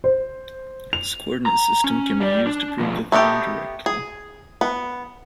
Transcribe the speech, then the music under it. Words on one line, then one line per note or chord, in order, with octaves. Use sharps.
This coordinate system can be used to prove the theorem directly.
C5
F7
A#5
C#4
G3 D5
D4
B2 F3
A3 B3 D#4 G4
G#4
B3